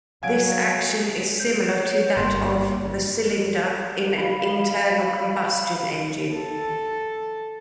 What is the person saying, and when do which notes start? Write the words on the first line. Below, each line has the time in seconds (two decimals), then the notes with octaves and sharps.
This action is similar to that of the cylinder in an internal combustion engine.
0.23 F#3 F5 F#5 G#5 G#6 D7
1.40 G6
1.77 C#5 G6
2.17 G1 G2 A#3 C6
4.18 F5 B5
6.34 A4